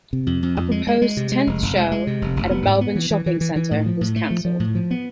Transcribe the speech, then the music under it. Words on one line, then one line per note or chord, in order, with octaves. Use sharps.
A proposed tenth show at a Melbourne shopping centre was cancelled.
C3
F2
F2
F2
G#3
G#3
G#3
C3
G#3
F1
F1
G#3
G#3
C3
F1
F1
B3
G#2
B3
E3
E3
E3
E3
E3
A2
F3
A2
A3
F3
F3
A2
F3
B3